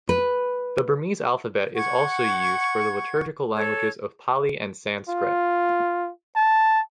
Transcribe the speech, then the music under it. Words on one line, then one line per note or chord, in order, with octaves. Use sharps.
The Burmese alphabet is also used for the liturgical languages of Pali and Sanskrit.
B4
F#5 C#6 G#6
A4 C#5
F4
A5